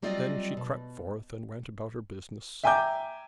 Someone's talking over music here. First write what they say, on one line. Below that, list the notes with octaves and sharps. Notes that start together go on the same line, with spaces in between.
Then she crept forth, and went about her business.
F#3 G3 C4 F4 D5 D#5
B2
E5 G5 G#5 A#5 D6 G6